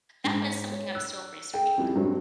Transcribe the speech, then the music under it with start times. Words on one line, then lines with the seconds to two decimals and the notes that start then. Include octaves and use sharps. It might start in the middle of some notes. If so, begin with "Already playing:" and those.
that was something I'm still researching on.
0.24 G#2
0.72 C#5
0.95 E6 F#6
1.54 G#4 G5
1.77 F2 G3 E4
1.96 G2 F#3 C4 D4